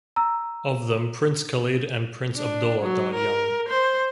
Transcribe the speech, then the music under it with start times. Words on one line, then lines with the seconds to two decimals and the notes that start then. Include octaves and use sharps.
Of them Prince Khalid and Prince Abdullah died young.
0.16 A#5 E6
2.37 D4
2.83 F#3
3.14 A#4
3.69 C5